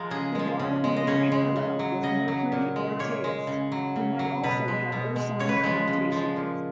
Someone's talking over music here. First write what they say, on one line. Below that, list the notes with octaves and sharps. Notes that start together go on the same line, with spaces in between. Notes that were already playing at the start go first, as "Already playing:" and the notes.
The god may be parallel with Mercury Artaius, who might also have ursine connotations.
Already playing: F3 G#3 A#4
C#3 G#4
F3 G#3
C#3
G#3
D#5
C#3 C#5
G#3
C#3
F#3
C#3 D#5
F#3
A#2
G#3
A#2 C#5
G#3
C#3
F#3
C#3
F#3
B2 B4
G#3
B2
G#3
C#3 C#5
B4
C#5
F3 G#3
C#3
F3 G#3
A#2